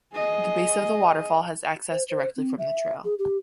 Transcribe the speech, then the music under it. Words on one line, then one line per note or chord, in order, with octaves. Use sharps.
The base of the waterfall has access directly from the trail.
G#4 D#5
C5
C5
C4
E5
G#4
G4